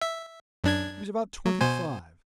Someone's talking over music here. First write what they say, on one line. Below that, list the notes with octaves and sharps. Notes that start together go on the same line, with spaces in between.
He was about twenty-five.
E5
F#2 D4 G#6
F#3
B2 C5 G#5